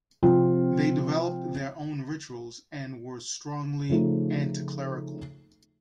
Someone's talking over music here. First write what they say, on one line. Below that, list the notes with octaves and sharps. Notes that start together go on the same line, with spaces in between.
They developed their own rituals, and were strongly anticlerical.
C3 F3 C4 F4
C#3 F3 A3 D#4